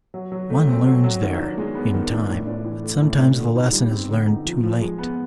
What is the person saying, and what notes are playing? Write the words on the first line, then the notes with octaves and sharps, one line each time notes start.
One learns there--in time--but sometimes the lesson is learned too late.
F#3
F#3
A3
C4
F#3
F#3
D#3
D4
G#3
B3
D#3
D4
A2
D4
E3
A3
A2
D4
D3
D#4
G3
C4
D3
D#4
F3
F3
G#3
B3